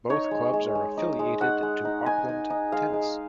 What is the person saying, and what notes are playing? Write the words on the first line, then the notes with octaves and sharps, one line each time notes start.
Both clubs are affiliated to Auckland Tennis.
D#4 C#5
G#3
G#3
G#3
D#4
G#3
D#4 F#5
G#3
D#4
D#4 G#5
D#4
D#4
G#3 F5
G#3